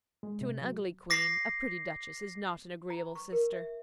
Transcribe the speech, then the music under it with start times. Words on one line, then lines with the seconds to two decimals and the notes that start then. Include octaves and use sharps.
To an ugly queen, a pretty duchess is not an agreeable sister.
0.23 G#3
0.41 C3
0.61 F#3
1.10 D6 A#6 C7
2.90 A#5
3.15 C#6
3.32 A#4
3.53 E5